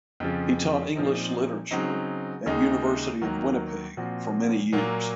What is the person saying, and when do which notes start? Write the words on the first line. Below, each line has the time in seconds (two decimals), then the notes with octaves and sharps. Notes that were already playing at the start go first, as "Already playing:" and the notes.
He taught English literature at University of Winnipeg for many years.
0.20 F2 C#3 F3
0.95 A#2 F3 C4 D#4
1.71 C#3 F#3 C4 D#4
2.46 D#2 C#3 G#3 D#4
3.22 D#2 D#3 F#3 A#3
3.97 A#2 F3 C4 F#4
4.72 A#2 F#3 A#3